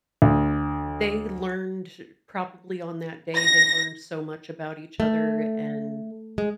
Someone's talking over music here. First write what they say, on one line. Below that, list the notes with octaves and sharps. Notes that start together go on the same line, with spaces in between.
they learned to probably on that day, they learned so much about each other and
D2
A#6
A3
G#3